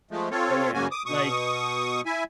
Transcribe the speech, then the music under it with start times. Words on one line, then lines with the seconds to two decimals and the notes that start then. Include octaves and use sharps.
But yeah, like
0.11 F3 G#3 A3
0.31 C4 F4 A4 C#5
0.74 F#2 C#3 A#3 C#4 F#4 G#5
0.91 D6 D#6
1.06 B2 C#6 D#6
2.06 E4 E5 G#5